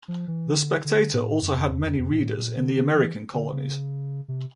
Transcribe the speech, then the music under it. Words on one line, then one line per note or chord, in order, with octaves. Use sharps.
"The Spectator" also had many readers in the American colonies.
F3
E3
D3
D3
A2
F#2
F2
E2
F2
F2
A#2
A2
A#2
D3
D3
E3
D3
C#3
C3